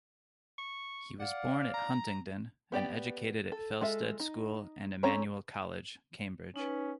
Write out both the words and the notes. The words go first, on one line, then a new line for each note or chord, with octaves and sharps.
He was born at Huntingdon and educated at Felsted School and Emmanuel College, Cambridge.
C#6
D5 F5 F#5
A#5
B3 G4 D5 G5
A4
G#3 F4 A4 E5
D#4
C4 C#4 A4 C#5 A#5
C#4 D#4 B4